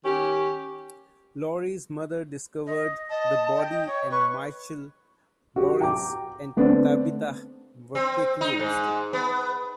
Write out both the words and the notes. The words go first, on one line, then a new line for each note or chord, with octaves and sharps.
Laurie's mother discovered the body and Michelle, Lawrence, and Tabitha were quickly arrested.
D#3 C#4 G4
D#5
D#5 A5
G5
C#5
B4 C#6
F#4 G4
G5 A#5 D6
D3 A3 B3 C4 D4
C4
D#4
G#2
B3